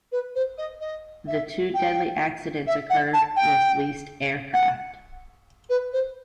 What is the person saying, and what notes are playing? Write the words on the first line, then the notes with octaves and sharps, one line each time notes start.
The two deadly accidents occurred with leased aircraft.
B4
C5
D#5
D#5
E5
G5
E5
F#5
A5
G5
F#5
B4
C5